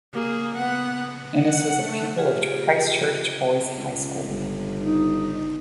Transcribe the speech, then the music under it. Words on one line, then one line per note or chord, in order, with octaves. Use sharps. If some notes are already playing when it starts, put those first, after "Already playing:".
Innes was a pupil of Christchurch Boys' High School.
A#3 G#4
B3 F#5
F#5
A3
F4 G4 G#4 E5
C#2
G1
D#4